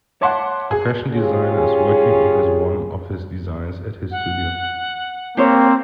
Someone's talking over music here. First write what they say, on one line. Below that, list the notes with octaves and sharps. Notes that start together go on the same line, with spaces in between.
A fashion designer is working on his one of his designs at his studio.
C#5 E5 F#5 A5 C6 D6
G#4
C#4 F4 G4 G#4
F#5
A#3 C4 G4 C5 C#5